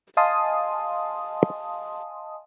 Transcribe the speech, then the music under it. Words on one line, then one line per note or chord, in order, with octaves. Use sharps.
Ford introduced flexibility into mass production, so that Fordism could continue to evolve.
D#5 F5 G#5 A5 C6 D#6